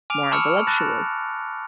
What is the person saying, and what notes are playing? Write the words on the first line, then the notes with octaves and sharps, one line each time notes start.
more voluptuous,
G#5 D6 F6 D7 F7
A5 B5 C#6 E6 F6 C#7
A5 B5 F#6 A6 A#6